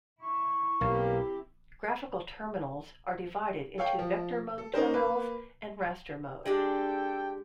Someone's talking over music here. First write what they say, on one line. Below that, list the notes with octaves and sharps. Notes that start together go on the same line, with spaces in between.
Graphical terminals are divided into vector-mode terminals, and raster mode.
E4 C#6
B1 A#3 C4 E4 G4
A4 C#5 F5 G5
F3
A4
C#4 D#4 A#4 C5
A#3 B4
G#3 D4 G4 A4 G5